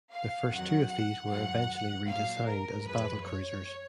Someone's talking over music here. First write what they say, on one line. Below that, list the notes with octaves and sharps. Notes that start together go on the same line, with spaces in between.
The first two of these were eventually redesigned as battlecruisers.
F5
F2 D#3 F#3 F#5
F#5
F#2 D#3 F#3 F#5
A#2 F#3 F5
A#4
F#2 F3 G#3 B4
C#5